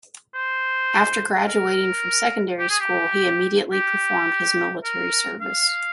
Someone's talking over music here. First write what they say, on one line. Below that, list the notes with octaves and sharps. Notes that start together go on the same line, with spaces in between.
After graduating from secondary school he immediately performed his military service.
C5
A#4
G4
G#4
G4
G4
A#4
F5